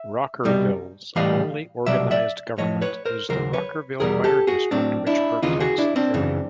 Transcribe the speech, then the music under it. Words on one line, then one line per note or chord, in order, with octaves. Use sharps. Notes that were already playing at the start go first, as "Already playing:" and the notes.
Rockerville's only organized government is the Rockerville Fire District, which protects the area.
Already playing: E5
C2 B2 G3
A2 E3 G3 D#5 F5
C2 B2 F#3 D5 E5
D5 E5
A2 F3 C#5 D#5
B4 C#5
A#4 C5
D#2 C#3 F#3 A#4 C5
B4 C#5
E2 B2 G3 G#4 A#4
G4 A4
F#4 G#4
A2 F#3 C4 D4
D4 E4
D#2 C#3 E3 D#4 F4
F#4 G#4
D4 E4
C4 D4
F#2 C#3 E3